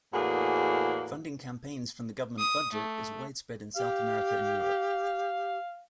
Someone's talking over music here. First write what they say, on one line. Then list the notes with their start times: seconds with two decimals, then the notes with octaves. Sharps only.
Funding campaigns from the government budget is widespread in South America and Europe.
0.13 E2 A2 A#3 F#4 G#4
2.38 D#6
2.72 A3
3.76 G4 F5